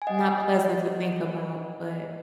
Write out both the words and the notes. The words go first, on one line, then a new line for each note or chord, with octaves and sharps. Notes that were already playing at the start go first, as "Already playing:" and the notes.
not pleasant to think about but
G#5
D#5 F#5